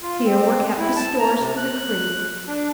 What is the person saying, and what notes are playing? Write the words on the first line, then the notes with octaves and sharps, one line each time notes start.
Here were kept the stores for the crew.
F4
C4
E4
A5
A#5
C3
F#6
D4